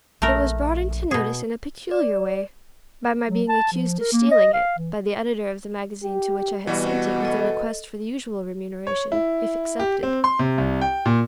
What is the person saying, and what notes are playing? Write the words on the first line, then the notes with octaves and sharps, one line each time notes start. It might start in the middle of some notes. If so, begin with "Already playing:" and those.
It was brought into notice in a peculiar way,--by my being accused of stealing it, by the editor of the magazine to which I had sent it with a request for the usual remuneration, if accepted.
A#1 A3 A#4
B2 G#4
D5
F#3
A5
F3
A#4
A#3
D#5
F5
E3
G4
B2 E3 G3 B3 F#4
A4 D#5
C#5
E4
G4
C4
C6
C3
C2
G5
A#2